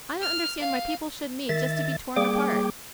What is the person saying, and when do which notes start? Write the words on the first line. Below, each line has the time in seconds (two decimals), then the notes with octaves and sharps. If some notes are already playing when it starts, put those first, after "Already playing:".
I don't understand why people should meet just to be torn apart.
0.22 F6
0.60 F5
1.49 D#3 E5 A6
2.16 G3 A#3 G#4 G5 D6